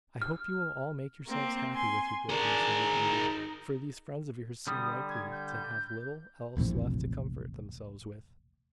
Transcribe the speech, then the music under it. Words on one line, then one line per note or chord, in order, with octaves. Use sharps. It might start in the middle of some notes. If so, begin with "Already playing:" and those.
"I hope you will all make yourselves happy with your greatness and your beauty: for these friends of yours seem likely to have little else left to comfort themselves with."
F6
A#3 C4
G#5 C6
D4 G#4 A#4
D#4
D3 G3 D#6
G#6
G6
E1 A#1 A2 C3